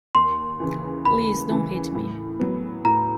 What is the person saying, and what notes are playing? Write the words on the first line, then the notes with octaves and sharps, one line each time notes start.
Please, don't hit me.
D#2 C6
C#3 E3
D#2 B5
C#3 E3
A2
F#3 B3
A2 A#5